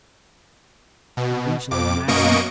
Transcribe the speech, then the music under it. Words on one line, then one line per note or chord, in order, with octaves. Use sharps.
But we shall unmask him.
B2
F2 D6
F#2 B2 A#3 D#5 C#6 D7